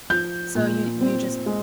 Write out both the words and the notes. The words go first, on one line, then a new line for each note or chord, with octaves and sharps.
So you you just f
F3 G6
A#2
C4
G#3